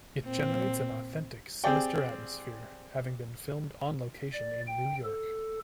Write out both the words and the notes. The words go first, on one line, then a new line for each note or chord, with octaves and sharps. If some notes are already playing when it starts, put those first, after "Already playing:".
It generates an authentic sinister atmosphere, having been filmed on location in New York.
A#2 C4
C4 G4 G#4 D5 G5
D5
G5
A4